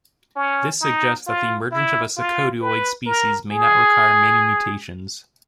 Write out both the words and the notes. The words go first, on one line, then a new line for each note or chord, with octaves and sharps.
This suggests that the emergence of a secotioid species may not require many mutations.
C#4
D#4
F4
E4
F4
B4
A#4
G#4